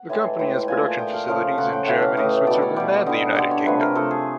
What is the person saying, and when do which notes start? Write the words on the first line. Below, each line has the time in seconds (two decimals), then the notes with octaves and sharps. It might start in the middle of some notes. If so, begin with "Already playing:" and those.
The company has production facilities in Germany, Switzerland and the United Kingdom.
Already playing: F#5
0.09 A2 E3 G#3 G#5
0.39 A2 E3 G#3 G5
0.68 A#2 F3 A3 G#5
0.98 A#2 F3 A3 G5
1.13 F5
1.28 C#3 F3 A3 F5
1.58 C#3 F3 A3 F#5
1.73 G5
1.87 A2 E3 A3 F#5
2.02 F5
2.17 A2 E3 A3 D#5
2.47 B2 G3 D5
2.62 C#5
2.76 B2 G3 D5
3.06 D3 G3 D#5
3.36 D3 G3 D5
3.51 C#5
3.65 C3 F3 A3 B4
3.81 A#4
3.95 C3 F3 A3 A4
4.11 G#4